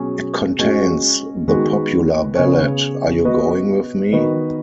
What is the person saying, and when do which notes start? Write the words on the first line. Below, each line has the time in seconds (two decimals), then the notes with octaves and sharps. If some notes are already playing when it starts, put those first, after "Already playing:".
It contains the popular ballad "Are You Going With Me?".
Already playing: B2 F#3 C#4 G#4
0.59 G#3 C#4 F#4 D#5
1.48 D#3 G#3 B3 F#4 B4
2.35 C#3 B3 G#4 C#5
3.24 B3 F#4 B4 D#5
4.12 D#3 B3 F#4 B4 D#5